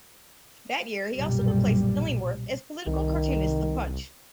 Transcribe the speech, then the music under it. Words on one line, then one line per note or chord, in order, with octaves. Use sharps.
That year he also replaced Illingworth as political cartoonist of "Punch".
B1 F#2 A#2 G3
C2 D#3